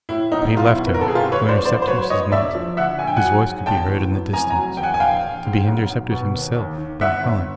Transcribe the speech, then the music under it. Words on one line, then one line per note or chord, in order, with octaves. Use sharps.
But he left her to intercept Mrs. Munt, whose voice could be heard in the distance: to be intercepted himself by Helen.
A2 E4
B1 D#4
B1 F4
E4
B2
B4
A#4
G#1 A4
G#4
F4 G4
G#1
B4 C#5
G2
C5 D5
A1 C5 D5
C5
F#3 B4 C#5
G2 C#5 D#5
E1 D5 E5
F3
D2 E5 F#5
A#1 G#5
G5
F#5 G#5
F#3
G#2
G1 G5 A5
E3
F#2
F1 G#5 A#5
G#5 A#5
F#3
E2 G5
F#5 G#5
G#5
A#1 F5 G5
A#1
G#2
B1
B1
B2
D#2
D#2
D#3
G1 E5 F#5
G1